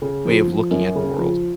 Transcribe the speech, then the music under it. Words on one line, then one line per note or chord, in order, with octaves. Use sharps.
way of looking at the world
C#3
F3
F3
F#2
C#3
F3